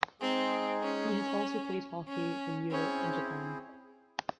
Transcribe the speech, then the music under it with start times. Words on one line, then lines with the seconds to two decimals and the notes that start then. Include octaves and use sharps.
He has also played hockey in Europe and Japan.
0.20 G#3 C4 D#4 G#4
0.83 C#4
2.08 C#4
2.71 C4 C#4 E4 G#4 C5